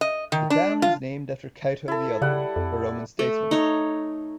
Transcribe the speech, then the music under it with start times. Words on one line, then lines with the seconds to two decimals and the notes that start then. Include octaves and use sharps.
The town is named after Cato the Elder, a Roman statesman.
0.01 D#5
0.32 D#3
0.50 D4
0.82 F4
1.88 E4 A4
2.22 C#3 G3 F#5
2.56 F2
3.19 A3
3.51 D#4 C#5